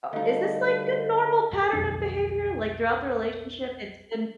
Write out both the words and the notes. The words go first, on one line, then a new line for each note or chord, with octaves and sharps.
Uh is this like a normal pattern of behavior? Like, throughout the relationship, it's been
D2 G3 D#4 A4 D#5 F5
B1 F2 D4